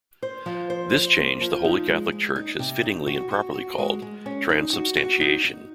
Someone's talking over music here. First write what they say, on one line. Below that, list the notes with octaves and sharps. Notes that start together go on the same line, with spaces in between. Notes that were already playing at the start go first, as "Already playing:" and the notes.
This change the holy Catholic Church has fittingly and properly called transubstantiation.
C5
F3
C5
C5
A#3
F3
D#4
G#3
G#3
D#4
C3
D#4
F#4
F#4
F#4
G#3
G#3
C#4
D#4
F#4
F#4
D#4
D#4